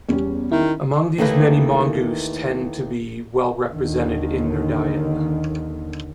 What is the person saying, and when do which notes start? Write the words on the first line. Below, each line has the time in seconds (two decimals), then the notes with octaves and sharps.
Among these many mongoose tend to be well represented in their diet.
0.08 E2 G3 C#4
0.52 D#3 E4
1.18 D#2 D#3 E3 A3 A#3 B4
3.72 D#2 D3 D#3